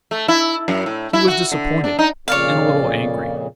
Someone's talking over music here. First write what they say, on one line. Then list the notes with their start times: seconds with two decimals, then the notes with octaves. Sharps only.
He was disappointed, and a little angry.
0.11 A3
0.28 E4
0.68 F#2
0.86 A2
1.13 E4
1.28 F#4
1.52 D3
1.84 D4
1.99 D#4
2.28 F2 A#2 C#3 C#5 D5 F5